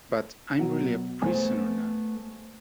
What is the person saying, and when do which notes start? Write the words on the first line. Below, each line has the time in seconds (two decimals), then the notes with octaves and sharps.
But I'm really a prisoner now.
0.59 B2 F#3 B3
1.22 A3 B3 C5 G#5